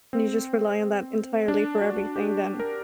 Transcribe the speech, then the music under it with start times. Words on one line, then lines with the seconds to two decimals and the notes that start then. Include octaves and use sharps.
and you just rely on that entirely for everything then
0.13 C4
1.48 D4
1.81 F#4
2.16 G4
2.60 A#4